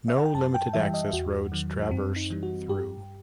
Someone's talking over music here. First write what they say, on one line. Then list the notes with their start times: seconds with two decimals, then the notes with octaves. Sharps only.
No limited access roads traverse through.
0.08 E5
0.18 F#5
0.25 G5
0.35 F#2 A5
0.54 G5
0.73 E3 G3 E5
0.94 D#5
1.13 E2 F#4
1.52 D#3 F#3
1.82 D#4
1.90 F#2 C4
2.16 D#4
2.30 E3 G3
2.43 F#4
2.68 G2 G4